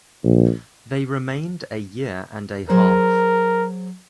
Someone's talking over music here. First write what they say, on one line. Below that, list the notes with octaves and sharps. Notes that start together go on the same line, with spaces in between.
They remained a year and a half.
A#1
F#3 G#4 A#4 C5